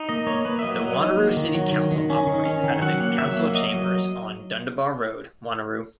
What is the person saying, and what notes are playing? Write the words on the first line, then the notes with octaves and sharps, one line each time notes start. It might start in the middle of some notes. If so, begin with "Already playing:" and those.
The Wanneroo City Council operates out of the Council Chambers on Dundebar Road, Wanneroo.
Already playing: D#4
A#3 D#5
A#3 C#5
A#3 B4
E5
F#3 D#5
F#3
D#4
A#3
D#3
F#3
D#3
D#3
C#4
D#3
C#4
D#3
F#3 F#5
A#3
F#3 E5
A#3
F#3 D#5
F#3